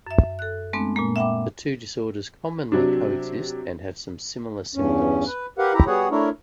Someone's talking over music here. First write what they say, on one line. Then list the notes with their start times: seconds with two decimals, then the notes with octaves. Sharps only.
The two disorders commonly co-exist, and have some similar symptoms.
0.07 F#2 E5
0.39 A4 F#6
0.73 G#3 A3 B3 C4 D4
0.96 A#2 G#3 A#3
1.16 E5 F#5 G5 B5 D6
2.72 C3 F#3 D4
4.75 E2 G2 C#4
5.27 B4
5.58 G4 A#4 B4 F5 F#5
5.74 E4 G4 A#5
5.87 G3 B3 F#4 G#4 C#5 F#5
6.11 A3 D4 E4 A#4 C#5